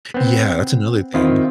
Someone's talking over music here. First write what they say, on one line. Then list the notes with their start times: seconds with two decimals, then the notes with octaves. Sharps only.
Yeah, that's another thing.
0.14 B3 C4
1.14 D#3 C4 E4 F4